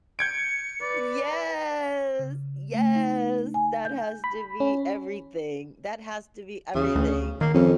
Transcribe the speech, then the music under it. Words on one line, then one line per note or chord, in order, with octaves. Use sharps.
Yes, yes. That has to be everything. That has to be everything.
G6 G#6 C#7 D7
B4 D5
C#3
A3
D#4
G#5
G6
B5
C#4
E2 C#3
D2
D#3 A#3
F2 C#4